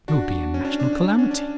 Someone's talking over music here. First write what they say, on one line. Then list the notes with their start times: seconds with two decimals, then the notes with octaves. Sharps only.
It would be a national calamity.
0.08 D4 F#4
0.54 C#4
0.65 D4
0.80 D4
0.93 D4
1.08 D4
1.19 C#4
1.31 D4